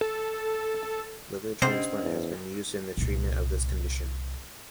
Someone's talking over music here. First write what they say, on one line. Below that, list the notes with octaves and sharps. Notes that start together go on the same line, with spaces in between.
Liver transplant has been used in the treatment of this condition.
A4
C3 C#4 D4 C5 D#5
E2
C2 A#2